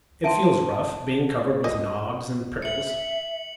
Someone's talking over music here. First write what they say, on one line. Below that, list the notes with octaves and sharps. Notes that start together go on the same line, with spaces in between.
It feels rough, being covered with knobs and prickles.
E5 G5 A5 C6 D7 D#7
D#5
E5 C#7 F#7